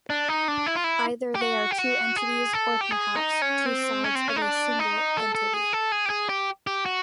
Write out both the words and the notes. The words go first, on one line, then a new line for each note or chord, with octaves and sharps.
Either they are two entities, or perhaps, two sides of a single entity.
D4
D#4
D4
E4
F4
E4
G4
F#4
G4
F#4
G#4
A4
G4
G#4
D#4
C#4
C4
C#4
C4
C#4
D#4
D4
D#4
A4
A4
G#4
A4
G#4
G4
G#4
G4
G4
F#4